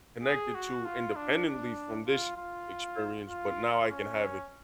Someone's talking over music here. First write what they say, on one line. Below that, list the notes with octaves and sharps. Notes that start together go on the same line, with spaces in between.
connected to independently from this experience, but now I can have it,
G#4
F#4
F4
D4
D4
F4
F4
F4
C#4